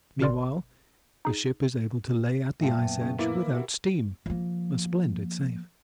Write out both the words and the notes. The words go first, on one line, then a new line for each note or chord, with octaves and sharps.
Meanwhile the ship is able to lay at the ice edge without steam; a splendid saving.
G1 B2 A#4 D5 C6
D#4 G#4
G#2 G#3 F4 E5 G5 A5
F#2 A#2 B3
C#3
A#3 E4 B4 D6
F#4 G4 A#4
F3 A#3